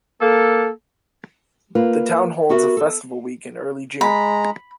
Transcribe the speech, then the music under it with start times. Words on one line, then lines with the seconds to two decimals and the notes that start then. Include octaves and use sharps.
The town holds a Festival Week in early June.
0.21 A#3 A4
1.75 A#3 F4 B4
2.49 B3 F#4 G4 A#4 E5
2.77 A4
4.01 G#3 A#5 B5